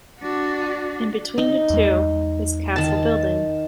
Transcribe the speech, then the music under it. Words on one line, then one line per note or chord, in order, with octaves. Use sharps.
In between the two, is Castle building.
D4 F#4
D#4
E2 G#3
D#3 A5